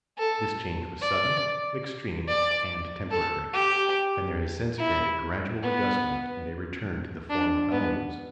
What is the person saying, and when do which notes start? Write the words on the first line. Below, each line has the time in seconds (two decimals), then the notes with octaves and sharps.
This change was sudden, extreme, and temporary, and there has since been a gradual adjustment and a return to the former values.
0.18 A4
1.02 D5
2.28 D5
3.11 A4
3.53 G4
4.79 E4
5.63 B3
7.30 D4
7.71 B3